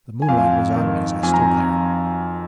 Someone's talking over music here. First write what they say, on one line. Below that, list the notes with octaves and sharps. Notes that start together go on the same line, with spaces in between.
The moonlight was on me as I stood there.
G#5
F2 F5
D#3
F2 G#5
A#5